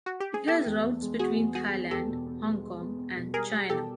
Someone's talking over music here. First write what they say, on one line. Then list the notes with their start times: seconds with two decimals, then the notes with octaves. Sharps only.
It has routes between Thailand, Hong Kong, and China.
0.06 F#4
0.20 G4
0.34 G#4
0.48 B3 G4 A4
0.66 E2
0.84 E2
1.02 G#3
1.19 B3 F#4 G#4
1.38 E2
1.55 G#3 F#4 G#4
1.73 B3
1.91 E2 G4 A4
2.09 B2
2.26 B3
2.45 G#3
2.63 G#3
2.80 B3
2.99 B3
3.16 B2
3.33 G3 G#4 A#4
3.51 G3
3.69 B2 G4 A4